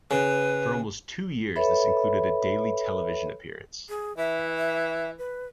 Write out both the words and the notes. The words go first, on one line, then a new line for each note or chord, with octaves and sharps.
For almost two years this included a daily television appearance.
C#3 B4
A4 B4 C#5 E5 B5
G#4
E3 E5
E5
B4